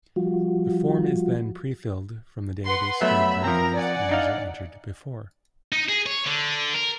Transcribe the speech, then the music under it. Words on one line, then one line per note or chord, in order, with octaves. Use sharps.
The form is then pre-filled from the database-stored variables the user entered before.
F3 G3 F4 F#4
B4 F#5 C6
F#3 A3 B3 E5 B5
F3 C4 A#4 A#5
D5 F#5 G#5
D4 D#4 F5
D#4
G#4
C#5
D3
A#4